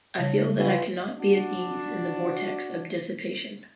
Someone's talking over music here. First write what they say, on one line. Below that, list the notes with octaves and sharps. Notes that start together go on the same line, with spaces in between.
I feel that I cannot be at ease in the vortex of dissipation.
C#3 G3 C#5 A5
E3 F3 F4 F#5 C#6
D4 F#4